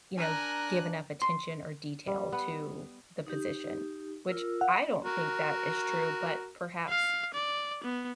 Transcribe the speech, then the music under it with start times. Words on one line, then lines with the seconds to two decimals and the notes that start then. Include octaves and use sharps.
you know, give enough attention or detail to the position, which I don't think that is true, but perhaps
0.18 D4 A#4 G#5 A#5 F#6
1.22 C6
2.07 G3
2.32 B3
3.27 D#4 G4
4.27 F4 A#4 E6
4.61 F5 F#5
5.05 F#4 A#4
6.89 F5
7.34 D5
7.84 B3